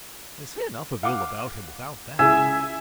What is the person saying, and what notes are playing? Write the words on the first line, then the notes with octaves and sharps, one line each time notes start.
They say enough of ill about him without that.
F5 F#5 D6
C#2 E4 G#4 E5 G#5